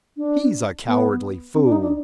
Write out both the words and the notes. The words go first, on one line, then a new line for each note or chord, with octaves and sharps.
"He's a cowardly fool!"
D4
B3
C4
D4
D#4
D4